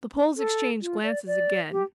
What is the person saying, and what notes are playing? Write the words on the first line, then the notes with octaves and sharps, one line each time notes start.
The Poles exchanged glances again.
A4
F4
D5
D5
G4